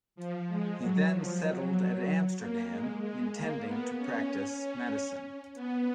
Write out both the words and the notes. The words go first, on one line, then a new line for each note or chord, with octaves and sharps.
He then settled at Amsterdam, intending to practice medicine.
F3
G#3
F#3
F3
F#3
A#3
G#3
G#3
A#3
B3
C#4
C#4
B3